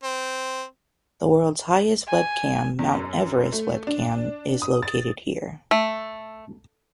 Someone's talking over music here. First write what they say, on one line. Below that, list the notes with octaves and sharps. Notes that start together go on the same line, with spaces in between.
The world's highest webcam, Mount Everest webcam, is located here.
C4
G#5
E2
F#2
A3
D4
D#6
A6
A3